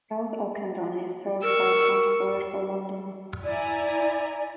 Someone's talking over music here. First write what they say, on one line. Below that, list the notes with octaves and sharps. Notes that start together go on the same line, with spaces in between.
South Ockendon is served by Transport for London.
A#4 C#6 E6
E4 D5 G#5 A#5